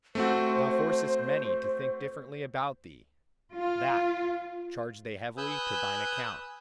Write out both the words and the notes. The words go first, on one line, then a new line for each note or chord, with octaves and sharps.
Thou forcest many to think differently about thee; that, charge they heavily to thine account.
A3 C4 F#4 C5
F4
B4 G#5 D#6 E6 F#6 G6